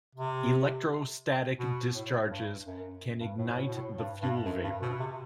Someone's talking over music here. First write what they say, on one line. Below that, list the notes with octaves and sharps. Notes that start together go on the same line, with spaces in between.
Electrostatic discharges can ignite the fuel vapor.
C3
B2
A2
G2
F#2
G2
A2
B2
A2
B2
A2
G2
G2
F#2
G2
B2
C3